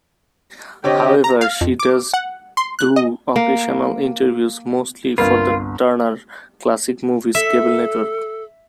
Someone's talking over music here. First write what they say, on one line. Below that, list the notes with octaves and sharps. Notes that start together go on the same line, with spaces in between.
However, she does do occasional interviews, mostly for the Turner Classic Movies cable network.
D3 C4 G4 C#5 D#5
A#5
F5
F2
D6
F#5
C6
F#6
D#5
A#3
G1 C2 A#3 F4 B4
A4 E5